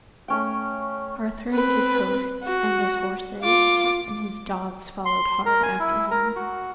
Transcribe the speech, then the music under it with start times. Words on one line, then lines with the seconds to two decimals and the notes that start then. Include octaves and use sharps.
Arthur and his hosts, and his horses, and his dogs followed hard after him.
0.28 A3 C#4 G5
1.51 C4 B4
2.44 F#4
3.42 F4 D6
5.05 C6
5.46 A#4
5.63 G#5
5.80 E4
6.11 A#4
6.36 F#4